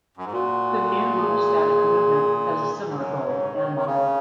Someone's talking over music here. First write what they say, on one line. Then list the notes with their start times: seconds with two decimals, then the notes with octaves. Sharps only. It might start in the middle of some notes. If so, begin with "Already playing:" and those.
The New Monastic movement has a similar goal and model.
0.17 F#2
0.25 G#2
0.32 A#2 F#4
1.21 G#4
2.88 G#2
2.97 F#2 C#5
3.27 G#2
3.55 D#3
3.77 D#3
3.86 C#3